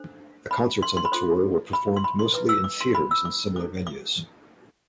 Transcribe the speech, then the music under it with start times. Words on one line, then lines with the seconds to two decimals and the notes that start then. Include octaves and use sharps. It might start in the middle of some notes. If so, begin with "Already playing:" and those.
The concerts on the tour were performed mostly in theaters and similar venues.
Already playing: D4 A4 C5
0.51 B5
0.82 C6
0.97 C6
1.05 B5
1.12 F4 A4 C5 C6
1.73 B5
1.96 C6
2.04 B5
2.19 C6
2.34 E4 B4 D6
2.49 E6
2.64 D6
2.81 C6
2.95 B5
3.11 E6
3.25 D6
3.56 E4 A4 C5 D6
3.87 D6